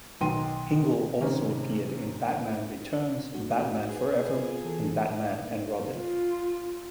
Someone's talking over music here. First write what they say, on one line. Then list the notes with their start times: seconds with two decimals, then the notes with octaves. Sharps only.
Hingle also appeared in "Batman Returns", "Batman Forever", and "Batman and Robin".
0.21 B1 D#3 G5 C6 D#7
1.20 C3 D#3 C4 C#4
3.34 D4 F#4
3.89 G#4 B4
4.34 B3 F4
4.65 E3 A4
5.92 F4